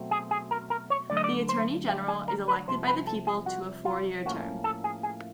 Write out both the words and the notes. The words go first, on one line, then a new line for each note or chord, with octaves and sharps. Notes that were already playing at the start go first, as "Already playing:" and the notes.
The Attorney General is elected by the people to a four-year term.
Already playing: B2 F#3 A3 C4
G#4
G#4
A#4
A#4
C#5
D2 D3 F#3 A3 D5
D#5
D5
C5
G4
G#4
A#4
B4
C2 C3 F3 C5
B4
A4
G#4
F#4
F4
A2 F3 A#3 C#4 F#4
A4
G#4
G#4